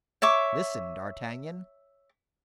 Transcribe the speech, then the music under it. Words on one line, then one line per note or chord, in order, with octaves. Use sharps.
Listen, D'Artagnan.
C#5 E5 C#6 D6